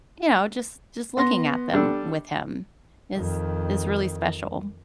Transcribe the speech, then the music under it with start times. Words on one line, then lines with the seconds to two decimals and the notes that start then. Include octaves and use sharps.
you know, just just looking at them with him is is really special.
1.17 B3 C6 A#6
1.73 G3 D4 A4
3.15 F2 D#3